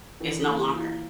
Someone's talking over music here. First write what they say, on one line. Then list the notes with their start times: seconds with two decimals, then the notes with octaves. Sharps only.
is no longer.
0.20 E3 A#4
0.40 A4
0.46 A#3
0.59 G4
0.73 F4
0.78 E4